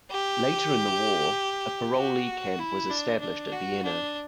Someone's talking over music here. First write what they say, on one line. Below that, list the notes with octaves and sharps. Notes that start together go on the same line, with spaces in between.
Later in the war, a parolee camp was established at Vienna.
G4
F#4
E4
D4
D4
F#4
D4